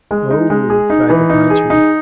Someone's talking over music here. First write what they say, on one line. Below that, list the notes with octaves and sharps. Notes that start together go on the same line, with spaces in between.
"Oh!" cried the pine tree.
G#3
D#4
G#3
G#4
D#4
E3
D#4
G#4
D#4